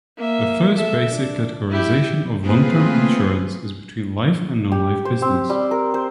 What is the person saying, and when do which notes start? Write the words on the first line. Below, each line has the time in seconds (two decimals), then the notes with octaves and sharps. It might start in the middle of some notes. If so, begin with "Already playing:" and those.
The first basic categorisation of long-term insurance is between life and non-life business.
0.17 A#3 E5
0.76 A4 E5
1.09 D4
1.70 E4 G4
2.43 A3 A#3 C4 F4 G#4 B4
4.72 G4
5.05 C5
5.22 C4
5.50 G3
5.71 A#4
5.94 C5